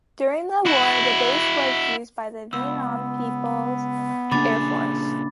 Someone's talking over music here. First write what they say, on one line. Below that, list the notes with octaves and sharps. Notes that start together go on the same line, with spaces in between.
During the war the base was used by the Vietnam People's Air Force.
E4 F#4
C#2 B3 E6
A#2 C#3 A#3 D4 G#4 B5 D6 A6